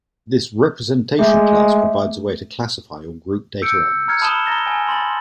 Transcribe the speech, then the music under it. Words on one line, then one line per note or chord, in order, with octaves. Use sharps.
This "representation class" provides a way to classify or group data elements.
G#3 A3
E6 G6 C#7 D7
A#5 F6 G#6 C#7
A5 B5 D#6 D#7 E7 G7
A#5 A6 A#6 G7
G#5
B5 C6 A6 F#7